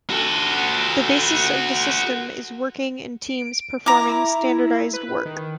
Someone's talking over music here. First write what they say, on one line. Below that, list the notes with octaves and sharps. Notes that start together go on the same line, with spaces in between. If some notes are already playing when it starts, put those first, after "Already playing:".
The basis of the system is working in teams performing standardized work.
F#4 A4
D7
E4 A#5 D6
B4
D#3